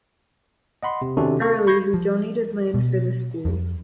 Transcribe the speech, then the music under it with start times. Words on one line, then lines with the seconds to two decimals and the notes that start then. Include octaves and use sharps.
Early, who donated land for the schools.
0.83 D#5 F#5 B5 C6
1.02 C3
1.17 C3 D#3 C#4 D4 F#4 A4
1.41 A4 F5 C#6
1.67 B5 C#6 G6 G#6 A#6 C7
1.94 F3
2.74 B2
3.45 F2